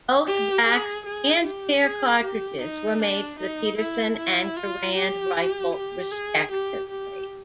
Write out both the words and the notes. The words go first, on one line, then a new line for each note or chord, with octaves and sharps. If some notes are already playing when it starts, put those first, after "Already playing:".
Both waxed and bare cartridges were made for the Pedersen and Garand rifle respectively.
G4
G#4
G#4
G4
G#4
G4
D#4
D4
D#4
E4
E4
F4
G4
G4
G#4
G4
G4